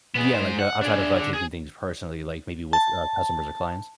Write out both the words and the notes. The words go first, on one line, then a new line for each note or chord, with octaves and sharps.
Yeah, like, uh, outside of, uh, taking things personally, like, maybe with, uh, customers or clients?
B3 G#4
G#2 C5
F#5
D4 G#4
D3
G#4
A5